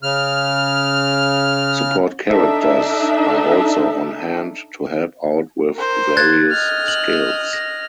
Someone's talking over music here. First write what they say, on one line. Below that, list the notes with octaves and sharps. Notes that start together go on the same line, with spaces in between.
Support characters are also on hand to help out with various skills.
C#3 F6
D4 D#4 A4 E5
A#4 C5
F#6 G#6 A6
D#5 F6
F#7
A#6